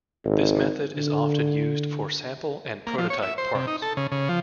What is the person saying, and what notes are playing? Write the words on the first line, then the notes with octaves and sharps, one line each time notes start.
This method is often used for sample and prototype parts.
G#1
D3
A#3
F3
C#5
E5
C5
C3
D#4
A4
C#3
C#3
F3